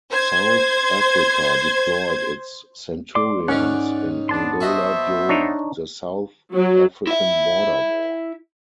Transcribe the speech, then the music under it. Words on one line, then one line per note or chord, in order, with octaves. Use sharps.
South Africa deployed its Centurions in Angola during the South African Border War.
C5 G#6
D5 C6 D6
G#2 D#3 C#4 D5 F#5
B3 D4 A5 C6
F#4 C5 D#5 E5
D4 D#4 C#5
F#3
E4 E5